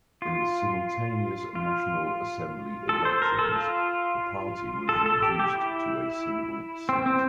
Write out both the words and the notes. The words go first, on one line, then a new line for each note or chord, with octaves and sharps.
In the simultaneous National Assembly elections, the party was reduced to a single seat.
F4
F4
A4
C5
A#4
A4
F4
A4
A4
G4
G4
E4
C4
C4